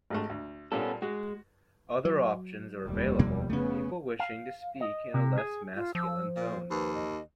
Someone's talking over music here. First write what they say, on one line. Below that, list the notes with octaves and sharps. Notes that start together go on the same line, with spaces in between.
Other options are available to people wishing to speak in a less masculine tone.
G#1 G#3 A3
D2
A#2 G3 B3 C#4 A4
G#3 F#4
F#3
F1 D#2 G3
B2 A#3
C#3 A3 B3 C#4
F5
D#5
C3
G#4
F4
F3 E6
A#2 C5
D#2 B4
D#5